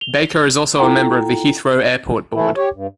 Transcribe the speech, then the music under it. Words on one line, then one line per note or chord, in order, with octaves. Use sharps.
Baker is also a member of the Heathrow Airport board.
F7 G7
E4 F4 A4 F#5 G5 A#5
E3 A3 E4
G4 C#5
G2